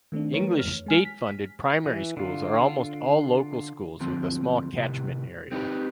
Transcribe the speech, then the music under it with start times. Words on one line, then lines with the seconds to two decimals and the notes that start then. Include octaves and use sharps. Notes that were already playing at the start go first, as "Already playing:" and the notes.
English state-funded primary schools are almost all local schools with a small catchment area.
0.12 D#3 A3 C4 D4
0.34 E3 A3 A#4 B4 C#5
0.59 F2 F6
0.86 G#3 G#5 F6
1.05 B6
1.85 E3
2.17 D3 F4
4.00 D2 F3 C4
4.77 A2 C3
5.52 C4 D#4 E4 G4 B4